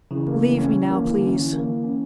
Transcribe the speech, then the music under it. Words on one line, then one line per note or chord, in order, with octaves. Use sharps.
Leave me now, please.
C#3 E3
A#3
E3
C#4
E3
A#3
D3 E3
C#4
E3
A#3
E3
C#4